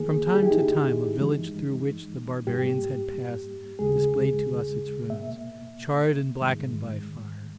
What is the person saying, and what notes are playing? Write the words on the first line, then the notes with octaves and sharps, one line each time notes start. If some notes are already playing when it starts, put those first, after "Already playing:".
From time to time a village through which the barbarians had passed displayed to us its ruins, charred and blackened by fire.
Already playing: E2 D#3 A#3 G#4
G#4
G4
E4
D#4
G2 E3 G#3
G#2 G3 A#3 G4
D#2 C#3 G#3 G#4
B2 A#3 E5
G#2 D#3 G#3